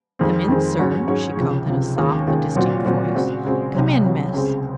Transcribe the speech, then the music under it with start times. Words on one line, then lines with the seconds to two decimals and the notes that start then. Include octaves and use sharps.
"Come in, sir," she called in a soft but distinct voice; "come in, miss."
0.19 F2 D#3 G#3 C4
0.48 F2 D#3 G#3 C4
0.79 G#2 F#3 C#4 F#4 C#5
1.07 G#2 F#3 C#4 F#4 C#5
1.37 C#2 C3 F3
1.68 C#2 C3 F3
1.96 D#2 D#3 G#3 C#4 F4
2.27 D#2 D#3 G#3 C#4 F4
2.56 A#2 F#3 C4 F#4
2.85 A#2 F#3 C4 F#4
3.15 C#3 G#3 C4 F#4
3.45 C#3 G#3 C4 F#4
3.74 C2 C3 F#3
4.03 C2 C3 F#3
4.33 C#2 C#3 G#3 C4